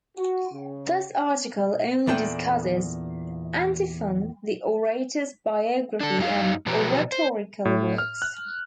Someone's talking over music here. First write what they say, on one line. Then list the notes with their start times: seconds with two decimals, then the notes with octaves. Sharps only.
This article only discusses Antiphon the Orator's biography and oratorical works.
0.17 F#4
0.52 C#3
2.07 E2 A#2 D4 A4 G5
6.01 D4 A4
6.19 F#2 D#4 F5
6.66 B2 F3 F#3 G4 B4 A#5
7.12 C5
7.65 A2
7.98 F6
8.22 F#6